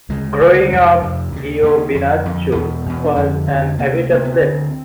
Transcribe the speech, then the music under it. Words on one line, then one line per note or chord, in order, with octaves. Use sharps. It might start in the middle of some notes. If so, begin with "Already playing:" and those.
Growing up, Giovinazzo was an avid athlete.
D2 C#3 G#3
D2 C#3
F2 C3
F2 C3
D#2 C#3
D#2 C#3
F2 D3
F2 D3
E2 B2 B3
E2 B2
D4
F2 D3 C#4
F2 D3 C#4
C4
D2 C3 A#3
A3
D2 C3 A#3
B3
D2 D3 C4